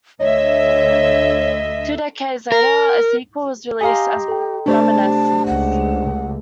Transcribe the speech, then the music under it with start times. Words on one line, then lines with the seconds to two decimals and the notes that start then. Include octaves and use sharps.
Two decades later, a sequel was released as "Reminiscence".
0.20 D2 C#5 D#5 E5
2.52 A#4
3.81 G4 D#5 F5 G#5 A#5 C6
4.28 A4 G5
4.66 C3 A3 D4 G4 C5 D5 A5
5.46 C#2 F#5